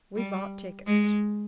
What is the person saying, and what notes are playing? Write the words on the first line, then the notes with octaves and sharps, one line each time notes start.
We bought tickets.
G3
G#3